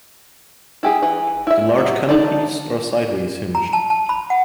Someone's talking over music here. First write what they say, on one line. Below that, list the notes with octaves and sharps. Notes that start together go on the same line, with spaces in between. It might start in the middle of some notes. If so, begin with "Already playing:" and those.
The large canopies are sideways hinged.
E4 G4 G#4
E3
E4 E5
F#3
D4 D#4 D5
A#5
A5
A5
B5
F#5